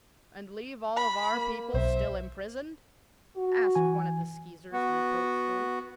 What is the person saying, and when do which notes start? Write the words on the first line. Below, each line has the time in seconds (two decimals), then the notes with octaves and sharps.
"And leave all of our people still imprisoned?" asked one of the Skeezers reproachfully.
0.97 B5
1.34 A#3
1.74 B1 C5 E5
3.36 F#4
3.75 E3 G#5
4.73 B3 F#4